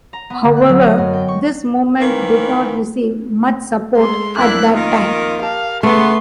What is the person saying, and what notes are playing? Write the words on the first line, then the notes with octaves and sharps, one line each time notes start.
However, this movement did not receive much support at that time.
A#5
B3
D3
F#6
F#3
D#5
F#2
G5
C#6
D#3 E3 A#3 C4 A#4 B4
G#3 A4 G#5 C6
F2 A#3 D4 E4 A#4 F#6
D#3 F4
G4 A#4 F5 A5
C#3 A3 B3 G4 G#4 C6